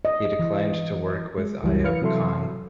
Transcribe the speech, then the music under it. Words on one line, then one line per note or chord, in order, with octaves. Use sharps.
He declined to work with Ayub Khan.
D#5
E3
G#3
C#2 E3 F#3 G3
E3 B4 F5 F6 C#7
C3 E3 F#3 A4 E5 C6